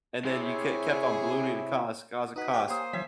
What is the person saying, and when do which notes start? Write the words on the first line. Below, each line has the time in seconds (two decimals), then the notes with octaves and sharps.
and then you ke kept on ballooning the cost, 'cause of cost,
0.25 C3 E4 G#4 C#5 E5
2.36 D#4 F#4 B4 D#5 D#6
2.54 G4 C#5
2.67 A#3 C5 G#5 D#6
2.93 E3 F#3 C#5 E5 G#5 B6